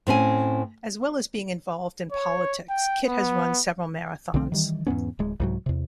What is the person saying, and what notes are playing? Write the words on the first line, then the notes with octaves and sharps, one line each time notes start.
As well as being involved in politics, Kitt has run several marathons.
A2 C4 C#4 G#5
C#5
G5
B3
B1 D3 A3 C4
D#3 E3 G3
E2 G#2 B3 C#4
D1 G#3
C2 G#2 F#3
E2 C3